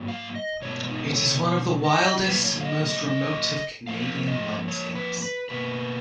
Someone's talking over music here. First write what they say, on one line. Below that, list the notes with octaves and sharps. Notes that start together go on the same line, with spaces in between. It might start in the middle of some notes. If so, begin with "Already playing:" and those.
It is one of the wildest and most remote of Canadian landscapes.
Already playing: G#2 F#3 A#3
F5
D#5
B2 G#3 B3 C#5
D#4
C#5
D#5
A#2 F#3 A#3 B4
C#5
F5
D#5
D#5
D#5
F2 F3 A#3 F5
D#5
C#5
B4
B4
B2 A#3 B4